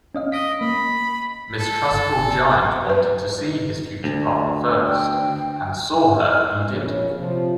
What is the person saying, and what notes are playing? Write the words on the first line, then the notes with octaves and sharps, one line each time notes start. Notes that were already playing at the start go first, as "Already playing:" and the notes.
Mistrustful giant wanted to see his future partner first, and saw her he did.
C#4 D#5 F5
D#5 B6 D7
A#3 B5
A4
G1 A4
B4
D2
G5
A#1 C#3 C#5
C3 F3